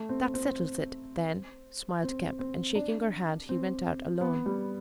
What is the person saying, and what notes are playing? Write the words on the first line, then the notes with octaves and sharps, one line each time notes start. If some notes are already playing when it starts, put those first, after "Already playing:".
"That settles it, then," smiled Kemp; and shaking her hand, he went out alone.
Already playing: A3
C4
C4
C4
C4
D4
C4
B3
G3